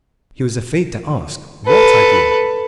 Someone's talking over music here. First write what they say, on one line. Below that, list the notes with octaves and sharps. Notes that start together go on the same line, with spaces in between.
He was afraid to ask what idea.
A4 B4